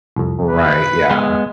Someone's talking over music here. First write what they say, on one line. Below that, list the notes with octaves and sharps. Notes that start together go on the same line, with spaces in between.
Right. Yeah.
C2 F2
B4
G#3 B3